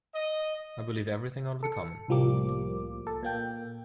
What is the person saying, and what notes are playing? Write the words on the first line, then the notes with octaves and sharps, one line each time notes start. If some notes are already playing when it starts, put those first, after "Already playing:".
I believe everything out of the common.
D#5
A4 C#7
C2 A2 F3 G3 A#3 D6
A4
A#2 A#3 G5